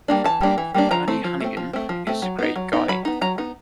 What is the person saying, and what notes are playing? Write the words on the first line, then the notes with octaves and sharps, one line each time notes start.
Bernie Hanighen is a great guy.
G3 A#3 D4
E3 A5
G3 A#3 D4
E3
G3 A#3 D4
F3 A#5
A3 C4
F3
A3 C4
F3
A3 C4
F3
A3 C4
F#3
B3 D#4
F#3
B3 D#4
F#3 B5
B3 D#4
F#3 A#5
B3 D#4